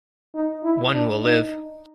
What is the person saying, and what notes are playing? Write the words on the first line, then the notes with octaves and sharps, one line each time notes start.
One will live.
D#4
E4
D4
D#4